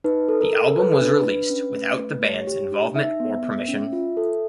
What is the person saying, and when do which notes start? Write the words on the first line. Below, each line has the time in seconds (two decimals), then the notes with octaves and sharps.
The album was released without the band's involvement or permission.
0.04 D#4 B4
0.29 A4
0.41 A#4
0.53 A4
0.77 A4 B4
1.01 D4
1.26 D4
1.50 C#4
1.74 A3
1.98 A3
2.23 G4 C#5
2.47 G4
2.71 D4
2.96 D#4 E5
3.20 B3
3.44 B3
3.68 C#4
3.93 F4
4.17 A4